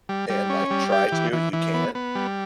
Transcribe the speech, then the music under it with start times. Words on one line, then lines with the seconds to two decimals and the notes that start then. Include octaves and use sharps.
and, like, try to, you can,
0.09 G3
0.30 G3
0.50 C#4
0.70 G3
0.92 G4
1.12 E3
1.33 E3
1.53 E3
1.74 B3
1.95 B3
2.15 G3